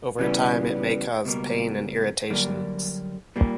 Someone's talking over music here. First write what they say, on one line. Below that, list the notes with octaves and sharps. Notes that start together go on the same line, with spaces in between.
Over time it may cause pain and irritations.
C#3 E3 G3 B3
C#2 B2 G3 A#3
F#2 D3 G3 A#3 D4
A#2 G3 A#3